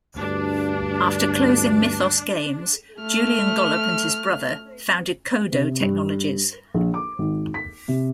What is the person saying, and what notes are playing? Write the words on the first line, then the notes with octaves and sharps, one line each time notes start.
After closing Mythos Games, Julian Gollop and his brother founded Codo Technologies.
D2 G2 D4
A3 F6
C3
G2
A#1
D6
G#1
B6
C3